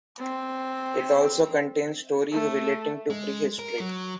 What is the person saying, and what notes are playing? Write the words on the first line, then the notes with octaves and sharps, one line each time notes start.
It also contains stories relating to prehistory.
C4
A3
G#3
A#4
F#3